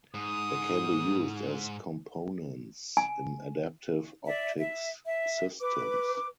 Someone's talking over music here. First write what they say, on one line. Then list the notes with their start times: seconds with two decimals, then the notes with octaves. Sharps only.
They can be used as components in adaptive optics systems.
0.14 G#2 D#6
2.97 G#5
4.26 D5 E5
4.58 E5
5.05 E5
5.59 B4 D6